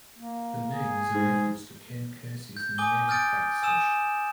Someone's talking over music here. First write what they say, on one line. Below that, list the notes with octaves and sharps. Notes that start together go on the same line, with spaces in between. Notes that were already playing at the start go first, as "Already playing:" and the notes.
The name is a reference to Ken Kesey's Merry Pranksters.
A#3
G#4
G#2
G6
G#5 D6 D#6 G7
D#6 F6 G6 A6 D7
G#5 D#6 E6 E7